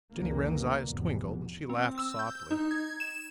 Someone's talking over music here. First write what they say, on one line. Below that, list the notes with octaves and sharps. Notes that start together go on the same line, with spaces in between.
Jenny Wren's eyes twinkled, and she laughed softly.
C#2 F#2 D3 E3 A#3
F1 E2 G#2 B2
C4
E6
G6
D#4
G#6
E7